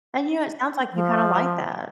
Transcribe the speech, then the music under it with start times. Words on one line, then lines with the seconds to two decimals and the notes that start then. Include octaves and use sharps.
And, you know, it sounds like you kinda like that.
0.93 F3